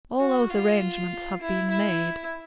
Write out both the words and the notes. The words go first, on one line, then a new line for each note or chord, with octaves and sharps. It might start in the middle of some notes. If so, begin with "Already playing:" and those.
'All those arrangements have been made.'
F#4
F4
E4
E4